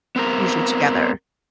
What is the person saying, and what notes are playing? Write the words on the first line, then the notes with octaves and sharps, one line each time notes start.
usually together.
B3 C4 A#4